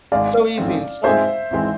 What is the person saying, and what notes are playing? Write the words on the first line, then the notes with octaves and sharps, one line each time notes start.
It's so easy and some
G#1 G#2 G#3 D5 F5
A1 G#2 F3 A3 C4
G#2 G#3 C4 F4 G#4 C5 E5
G#1 G#2 E3 G#3 C4